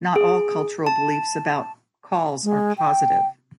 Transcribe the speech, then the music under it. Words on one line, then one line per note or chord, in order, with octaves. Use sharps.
Not all cultural beliefs about cauls are positive.
G#4
A5
G#3
G5